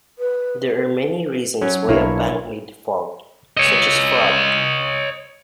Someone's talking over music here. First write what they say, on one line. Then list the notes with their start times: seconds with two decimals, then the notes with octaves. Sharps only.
There are many reasons why a bank may default, such as fraud.
0.19 B4
1.61 F#3 C#4
1.89 B1 A#3 D4 E4 C#5
3.57 C#5 D#5